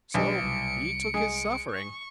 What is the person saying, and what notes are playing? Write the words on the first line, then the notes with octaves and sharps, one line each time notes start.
So 'he took his suffering.'
B1 G3 D4 C#7 D7
C2
G#3
C#6